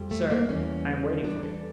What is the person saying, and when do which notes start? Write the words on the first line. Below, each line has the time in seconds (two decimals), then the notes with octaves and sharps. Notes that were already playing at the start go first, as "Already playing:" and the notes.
"Sir, I am waiting for you."
Already playing: F2 G3
0.11 A3
0.30 A#3
0.49 E2 E3 G3 C#4
1.23 E2 E3 G3 D4
1.43 A4